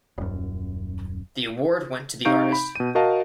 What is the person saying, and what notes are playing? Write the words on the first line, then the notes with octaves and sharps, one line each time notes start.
The award went to the artist.
D#1 F#2
C3 D#4 F5 C#6 G6 D7
B5
B2 D#7
F#4 A#4 D#5 F5 A5